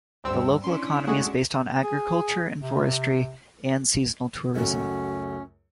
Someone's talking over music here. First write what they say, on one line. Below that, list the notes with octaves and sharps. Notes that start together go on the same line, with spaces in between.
The local economy is based on agriculture and forestry, and seasonal tourism.
D2 G2 C4 E6
C#4 D4 E4 C6
G#3 A3 F#4 G#4 F#5
G#4
C3
C#2 F#2 A3 C#4 F#4